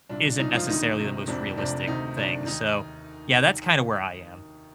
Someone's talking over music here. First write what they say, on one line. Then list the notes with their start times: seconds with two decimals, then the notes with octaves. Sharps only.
isn't necessarily the most realistic thing. So, yeah, that's kind of where I am.
0.09 C2 A#2 D4
0.28 D4
0.40 C2 A#2 D#4
0.54 F3 F4
0.69 D2 C3 D#3 D#4
0.98 D2 C3 D#3
1.27 F1 F2 C3 D4
1.57 F1 F2 C3 D4
1.87 D2 C3 D#3 D#4
2.17 D2 C3 D#3 D4
2.46 D#2 D#3 D#4